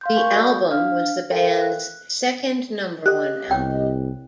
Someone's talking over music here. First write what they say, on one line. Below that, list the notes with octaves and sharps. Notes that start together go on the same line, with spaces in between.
The album was the band's second number one album.
F5 C6 G6
A#4 G#5 C#6 G6
F#4 D5
D4 F5 F6
A4 A#4 C5 E5 F5 G5
F#6
G4 D#5 F#6
C2 C#5 G5